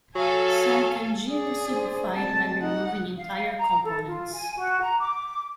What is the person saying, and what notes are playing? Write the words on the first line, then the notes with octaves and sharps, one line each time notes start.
Some kanji were simplified by removing entire components.
F#3 A4 F5 G#5
G#4 D5
C#4 D4 C5
G#3 A3 C4 A5
D#4 F#5
F5
A#5
A4
F4
G#5
F#4
A#5
D6